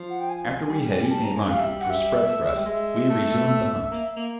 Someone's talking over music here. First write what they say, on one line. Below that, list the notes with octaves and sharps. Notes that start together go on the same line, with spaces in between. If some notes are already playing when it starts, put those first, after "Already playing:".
After we had eaten a lunch which was spread for us, we resumed the hunt.
Already playing: F3
F#5
G5
G#5
G3
A5
A#5
G#5
G3 F5
E5
F#5
E5
A3
G#3
G3
G#3 E5
A3
A#3
A#3